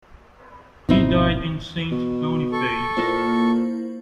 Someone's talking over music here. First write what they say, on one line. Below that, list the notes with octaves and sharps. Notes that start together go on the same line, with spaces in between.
He died in Saint Boniface.
G#1 B2 C4 D#4 E4
B2
A4 C#6
A#2 A#3 E4 C5